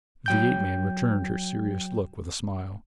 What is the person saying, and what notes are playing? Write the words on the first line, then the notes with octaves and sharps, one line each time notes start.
The ape-man returned her serious look with a smile.
F#3 G5 G6